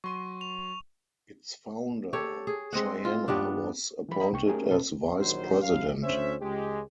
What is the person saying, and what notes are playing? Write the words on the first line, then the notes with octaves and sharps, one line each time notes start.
Its founder, Chihana was appointed as vice-president.
F#3 C6 C#6 D#7
F7
G4 A4 C#5
G#4
G#3 C4 D#5 F#5
F4
G2 G3 B3 D4
E3 F#3 B5
D#5 A#5 B5
C2 G5 C#6
A3 C#4 G4 G#4 A#4
B2 A4 B4
A#1 D#3 F#3 C5
F#2 F5
D2 C#4 C5 E5
C#2 G#3 G4